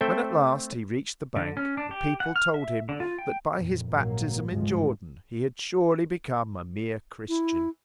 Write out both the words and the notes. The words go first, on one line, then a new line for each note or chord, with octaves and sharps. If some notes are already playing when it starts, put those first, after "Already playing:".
When at last he reached the bank the people told him that by his baptism in Jordan he had surely become a mere Christian.
A3 C4 A4 C5 E5 G5
D3
C#4
D4
G4
F#5
F6
E5
D3
F4
G5
F2 A#2
A#1 G#2 F#3 A#3
G#1 D2 G2 C3 F3 G#3
E4